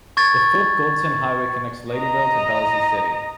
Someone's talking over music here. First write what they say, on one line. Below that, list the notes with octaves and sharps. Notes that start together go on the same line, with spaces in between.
The Philip Goldson Highway connects Ladyville to Belize City.
C#6 G#6 A6
D#5 A#5